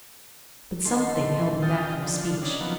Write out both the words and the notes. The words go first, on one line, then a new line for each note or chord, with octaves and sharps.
But something held him back from speech.
D#2 A3 C#4 C6
A#2
F4 D#5 G5 A6 C#7
D3 F3
C#3 C4 D4 D#4
F3 F#3 B3